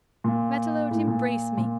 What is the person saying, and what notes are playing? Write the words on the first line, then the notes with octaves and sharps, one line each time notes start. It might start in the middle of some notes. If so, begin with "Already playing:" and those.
Matelote, embrace me!
A#2
A2
A#2
A#2